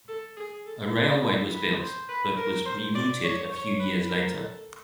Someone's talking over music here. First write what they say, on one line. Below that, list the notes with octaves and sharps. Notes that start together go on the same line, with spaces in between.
A railway was built but was re-routed a few years later.
A4
G#4
A4
A4
B4
C5
B4
A#4
C5
D5
C#5
C#5
B4
A#4
A4